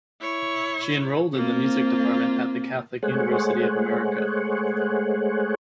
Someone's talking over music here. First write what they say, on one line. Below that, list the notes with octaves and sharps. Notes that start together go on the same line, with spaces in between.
She enrolled in the music department at the Catholic University of America.
E4 C#5
A#3 C4 F4
G#3 A3 G#4 C5 C#5 F#5